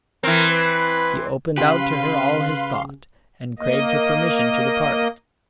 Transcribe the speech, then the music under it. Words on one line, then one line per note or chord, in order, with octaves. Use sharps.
He opened out to her all his thought, and craved her permission to depart.
E3 C4 A#4
B4
C#3 G4 B4 F5 C6
A#3 D#5